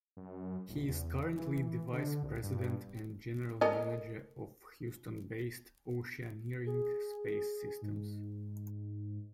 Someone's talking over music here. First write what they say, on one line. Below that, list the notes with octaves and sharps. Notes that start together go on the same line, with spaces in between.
He is currently the Vice President and General Manager of Houston-based Oceaneering Space Systems.
F#2
D#1
E2
E3
D3
C2
G2
A4 A#4 D#5
G#4
G#2